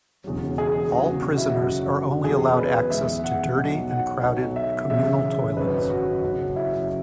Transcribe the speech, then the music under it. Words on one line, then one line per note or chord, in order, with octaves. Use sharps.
All prisoners are only allowed access to dirty and crowded communal toilets.
E1 E2 C#3 F#3
G#4
E1 E2 C#3 F#3 F#4
F#4
E4
F#4
F#1 F#2 F#3
E1 E2 B2 F#3 G#4
B4
E2 B2 G#3 E5
F#5
B1 B2 F#3
F#5
B1 B2 F#3
E5
E1 E2 C#3 E5
G#1 F#2 F#3 B4
F#4
F#1 F#2 F#3
E4